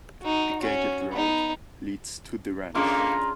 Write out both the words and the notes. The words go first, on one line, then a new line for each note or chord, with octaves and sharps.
A gated road leads to the ranch.
D#4 F#4
C#4 F#4
B3 D#4
D3 D#3 A#3 C#4 D4 F4 G#4 A#5